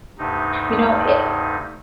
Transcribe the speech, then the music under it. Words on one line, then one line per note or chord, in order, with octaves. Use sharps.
you know, i
D2 G2 C3 D#4